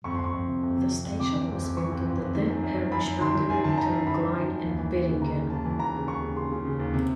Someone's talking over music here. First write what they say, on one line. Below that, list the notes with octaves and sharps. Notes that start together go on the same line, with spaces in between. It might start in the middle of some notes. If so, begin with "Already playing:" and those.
The station was built on the then parish boundary between Glynde and Beddingham.
F2 C#6
F2 C6
C#6
F2
C3
F2
C3
C3
F2
C3 D6
E3
F2
F2
E3 C#6
F2
F2
F2
D#3
F#2
F#2
F#2
F#2 B5
F#2
D#3 C6
D#3
F#2 G#5
D#3 A5
F#2 A#5
F#2
D#3 B5
F#2
D#3
F#2
D#2
E3
D#2
C#3
C#3 A#5
C#3
D#2 A5
E3
D#2 A#5
C#3
D#2 C#6
C#3
C#3 C6
C#3
C#3
D#2
C3